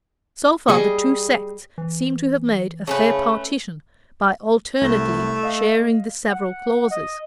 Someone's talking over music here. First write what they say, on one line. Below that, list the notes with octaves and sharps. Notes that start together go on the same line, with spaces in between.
So far the two sects seem to have made a fair partition by alternately sharing the several clauses.
G3 G#4 D#5 C#6
E3
C#3 A3 C#4 B4 A5
C2 A3 A#6
D#5 F5
F#5
D#5